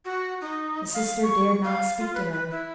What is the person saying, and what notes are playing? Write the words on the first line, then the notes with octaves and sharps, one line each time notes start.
The sister dared not speak to her.
F#4
D#4
F5
C#6
F5
F4
B4
B4
E4